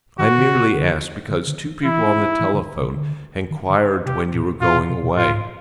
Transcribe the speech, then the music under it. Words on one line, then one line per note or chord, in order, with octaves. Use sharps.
"I merely asked because two people on the telephone enquired when you were going away."
D#3 F#4
D3
C#3
D3
D3
D3
D#3
E3 E4
E3
D3
C#3
D3
D#3
D3
C3 G4
A#2
A#2 F4
B2
C3
B2
A2 F4
A2
G#2